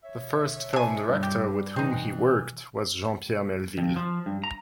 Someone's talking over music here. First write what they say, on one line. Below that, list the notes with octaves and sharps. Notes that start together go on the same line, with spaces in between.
The first film director with whom he worked was Jean-Pierre Melville.
C#5 E5
D4 G#5
G2
G4
E3 C4 D#4
F2
F3
G2
A#5